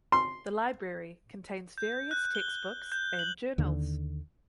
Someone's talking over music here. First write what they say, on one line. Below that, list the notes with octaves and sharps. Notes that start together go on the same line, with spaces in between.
The library contains various textbooks and journals.
C6
G6
G6
F#6
G7
G6
F#7
D#2 D3